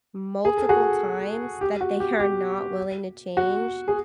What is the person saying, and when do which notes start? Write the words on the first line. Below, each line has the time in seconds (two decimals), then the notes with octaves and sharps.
multiple times that they are not willing to change,
0.45 G#4
0.58 A4
0.69 F#4 G#4
1.61 G4
1.81 F#4
2.00 G4
2.20 G4
3.37 F#4
3.88 G#4